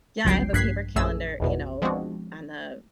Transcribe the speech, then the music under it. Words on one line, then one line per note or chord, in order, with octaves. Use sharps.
Yeah, I have a paper calendar, you know, on the,
G1 C#2 F#3 G5 C7
A#1 G2 F#6 G#6 B6 C7
A#1 F#2 A3 G#4 E6
G#1 E2 B2
F3 G#3 B3 C4 D4 F#4